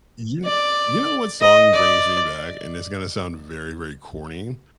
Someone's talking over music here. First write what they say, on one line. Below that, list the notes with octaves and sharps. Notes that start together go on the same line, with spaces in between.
You you know what song brings me back? And it's gonna sound very, very corny,
D5
D#5
D5